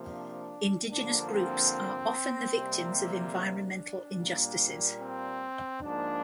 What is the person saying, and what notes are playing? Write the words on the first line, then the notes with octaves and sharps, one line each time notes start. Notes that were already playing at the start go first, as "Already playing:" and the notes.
Indigenous groups are often the victims of environmental injustices.
Already playing: C3 F3 A#3
D4
G2 D3 F3 A#3 D4
C4
C3 G3 A#3
D4
A#2 G3 A#3
C4
G#2 F3 A#3 D4